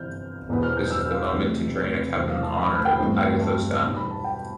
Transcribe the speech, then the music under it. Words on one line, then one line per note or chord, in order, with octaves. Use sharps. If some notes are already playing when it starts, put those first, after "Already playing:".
This is the moment to drain a cup in honor of the "Agathos Daimon".
Already playing: G1 F2 C3 E3 F6 G6
E1 E2 B2 B3
F6
G6
E6
F5
F1 F2 C3 E3 A3
D5
B4
E1 D2 C3 E3 B3 C5
F5
A5
B5
B5
G5
G1 G2 E3 A3 C4
A5
B1 B2 G3 C6
B5
A5
G5